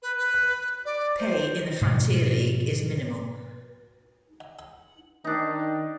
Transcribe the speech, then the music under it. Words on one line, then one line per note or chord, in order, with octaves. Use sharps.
Pay in the Frontier League is minimal.
B4
B4
D5
C5
G#2 B2 F3
D#3 D4 D#4